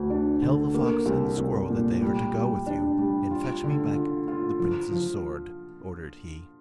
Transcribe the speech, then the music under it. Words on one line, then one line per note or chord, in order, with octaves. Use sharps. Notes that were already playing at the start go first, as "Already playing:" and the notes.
'Tell the fox and the squirrel that they are to go with you, and fetch me back the prince's sword,' ordered he.
Already playing: D2
D4
D3
A#3
C2
C2
A#2
G3
G3
D4
G3
F4
D3
F4
F4
F3
F3